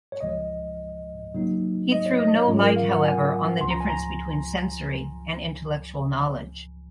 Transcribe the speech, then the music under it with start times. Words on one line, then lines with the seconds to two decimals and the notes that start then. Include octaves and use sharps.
He threw no light, however, on the difference between sensory and intellectual knowledge.
0.12 C#5
0.21 C#2 C#3 F3 G#3 D#5
1.35 C#3 F#3 A#3 D#4
1.92 D#5
2.06 C#5
2.19 D#5
2.34 C#5
2.48 G#2 F#3 C#4 F4
2.62 A#4
2.76 F5
2.91 F#5
3.05 G#5
3.61 C#2 C#3 F3 C6
3.71 A#5
3.80 G#5
3.90 A#5